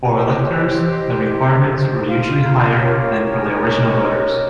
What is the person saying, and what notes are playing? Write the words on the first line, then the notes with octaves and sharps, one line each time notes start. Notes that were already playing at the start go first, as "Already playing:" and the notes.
For electors, the requirements were usually higher than for the original voters.
G4 C5 C#5
D#5
C#5
D#5
F4 F5
C#4 G4 A#4 C#5
G#4 G#5
D#5
D#5